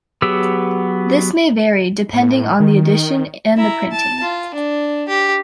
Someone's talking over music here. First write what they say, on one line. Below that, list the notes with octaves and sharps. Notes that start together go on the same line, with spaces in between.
This may vary, depending on the edition and the printing.
F#3 B3 G4 G#4 E6
A2
D#3
E4 A#5
A5
F4
D4
G4